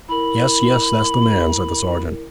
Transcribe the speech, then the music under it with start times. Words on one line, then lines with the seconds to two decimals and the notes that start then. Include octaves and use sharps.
'Yes, yes; that's the man,' said the sergeant.
0.09 E4 A#4 B5